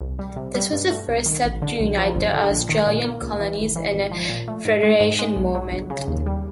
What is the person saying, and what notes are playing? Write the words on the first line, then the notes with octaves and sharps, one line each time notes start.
It was the first step to unite the Australian colonies in an federation movement.
C2
G3
C3
G3
G2
A3
C2
D#3
A1
D3
B1
F3
G1
D3
A#1
D#3
A#2
A#3
C#2
E3
G#1
E3
G#1
F3
A#2
A3
G#2
G#3
G#2
G#3
B1
F#3
G1
C#3
D#2
G3